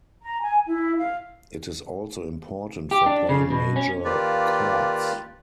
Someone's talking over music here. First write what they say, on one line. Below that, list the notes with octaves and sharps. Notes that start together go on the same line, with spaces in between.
It is also important for playing major chords.
A#5
G#5
E4
F5
G4
D4
C#3
B2
C#4
D#3 A#3 F4 G4 B4 D5